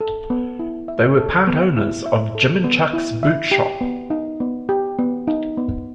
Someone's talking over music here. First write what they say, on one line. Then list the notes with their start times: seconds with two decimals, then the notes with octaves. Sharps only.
They were part owners of Jim and Chuck's Boot Shop.
0.01 A4
0.30 B3
0.59 E4
0.88 E5
1.17 A4
1.47 B3
1.76 E4
2.06 E5
2.35 A4
2.64 B3
2.93 E4
3.23 E5
3.51 G4
3.81 B3
4.10 D#4
4.40 B3
4.69 G4
4.99 B3
5.28 D#4
5.58 B3